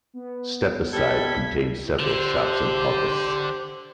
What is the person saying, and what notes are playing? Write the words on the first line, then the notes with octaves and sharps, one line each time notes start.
Stepaside contains several shops and pubs.
B3
G3 A4 G#6 B6
D3 G4 C5